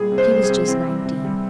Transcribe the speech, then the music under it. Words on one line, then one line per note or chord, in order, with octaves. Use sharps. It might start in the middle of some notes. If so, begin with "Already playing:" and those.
She was just nineteen.
Already playing: A#2 G3 G#4
C3
C5
G3
G#4
C3
E3 C4
G3
C3
G3